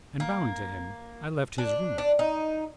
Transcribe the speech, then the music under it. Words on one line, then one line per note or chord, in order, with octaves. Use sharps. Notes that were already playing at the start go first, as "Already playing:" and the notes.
And bowing to him I left his room.
A#3
D4
D4
D#4